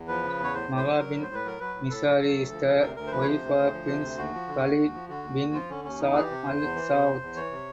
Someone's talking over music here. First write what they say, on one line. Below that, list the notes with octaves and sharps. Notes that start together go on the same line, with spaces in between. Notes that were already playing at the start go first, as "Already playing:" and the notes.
Maha bint Mishari is the wife of Prince Khaled bin Saad Al Saud.
Already playing: E2
F3 B4
C#3
E2 C#5
A2 C5
A2
C5
F#3
F#3 A#4
A2
C5
A2
B4
F#3 A#4
F#3 B4
A2
A2 A4
F#3
F#3
D2
F3
C3
D2 A#4
D2 A#4
C5
F3 B4
C#5
C3 C5
D2
D2
F3
C3
D2
D#2 F#4
F3
D3
D#2
D#2
F3
D3 F#4
D#2
D#2
F3 F4
D3 C#4
D#2 C#4
E2 D#4
E3 G#4
G4
C3
E2 C5
E2
E3
C3
E2
E2
E3 C#5
C3